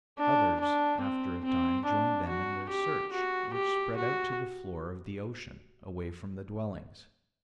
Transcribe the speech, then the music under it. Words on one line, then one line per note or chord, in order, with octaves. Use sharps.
Others, after a time, joined them in their search, which spread out to the floor of the ocean, away from the dwellings.
D4
D4
C4
C4
D4
F#4
G4
F#4
G4
F#4